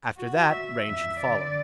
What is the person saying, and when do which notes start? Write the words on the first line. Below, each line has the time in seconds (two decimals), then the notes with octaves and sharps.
After that rain should follow.
0.18 F#4
0.52 E5
0.86 F2 E5
1.21 D3 D5